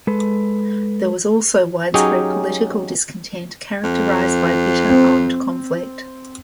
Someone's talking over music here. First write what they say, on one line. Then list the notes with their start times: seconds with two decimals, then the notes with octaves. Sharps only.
There was also widespread political discontent characterized by bitter armed conflict.
0.07 G#3 A4 B4
1.94 F#3 C#4 D#4 G4 G#4
3.84 F2
4.90 C4